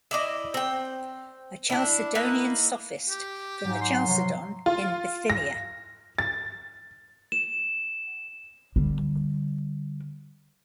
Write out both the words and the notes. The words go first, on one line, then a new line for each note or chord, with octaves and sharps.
A Chalcedonian sophist, from the Chalcedon in Bithynia.
E4 D5 D#5
C4 G5
D4 E4
A#3 D#4 E4 B4
G4
G#2 F#3
C6
C3 F3 F#3
F4
A#6
A6
E7
D3 G3